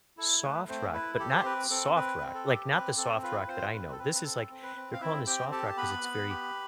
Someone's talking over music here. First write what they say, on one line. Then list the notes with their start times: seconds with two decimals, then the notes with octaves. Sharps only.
soft rock, but not soft rock. Like, not the soft rock that I know. This is like they're calling this soft rock 'cause it's very,
0.17 E4 A4
0.42 A3 B4
0.69 A3 C4 C5
0.93 E4 B4
1.19 G4 A4
1.36 C5
1.44 C4 B4
1.70 C4 A4
1.95 C4 B4
2.21 C4
2.34 A4
2.46 G4
2.73 C4 B4
2.97 C4 A4
3.23 F4 B4
3.40 B4
3.48 C4 F4 C5
3.74 C4 B4
3.92 A4
3.99 C4 B4
4.14 B4
4.24 C4 A4
4.50 C4
4.63 B4
4.76 C4
4.93 F5
5.01 C4 E4 E5
5.26 C4 G4 G5
5.52 G4 A4 A5
5.69 A5
5.77 B3 B4 B5
6.03 B3
6.29 G4